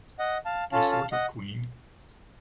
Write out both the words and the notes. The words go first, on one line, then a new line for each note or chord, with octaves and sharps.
A sort of queen.
D#5 F#5
F5 A5
C#4 F4 A4 F5 A5
F5 A5
D#5 F#5